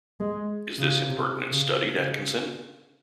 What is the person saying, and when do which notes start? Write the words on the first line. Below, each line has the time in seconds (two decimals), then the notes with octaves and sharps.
Is this impertinence studied, Atkinson?
0.20 G#3
0.79 C#3
1.08 C3
1.51 C#3
1.96 C#3